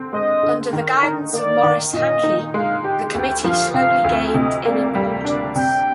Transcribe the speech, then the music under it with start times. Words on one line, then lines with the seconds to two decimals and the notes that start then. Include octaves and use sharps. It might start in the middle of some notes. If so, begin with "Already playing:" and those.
Under the guidance of Maurice Hankey, the Committee slowly gained in importance.
Already playing: D3 C4
0.12 G#3 D#5
0.43 D3
0.73 D#3 A#4
1.03 D#4
1.33 A#3 D5
1.63 D#3
1.93 A#2 D#5
2.24 D#4
2.54 G#3 F5
2.84 G4 G5
3.14 D2 G5
3.44 F3 F5
3.74 C3 F5
4.04 D2
4.34 C3 D#5
4.65 A#3 D5
4.95 G3
5.25 D4 D5
5.55 C3 G5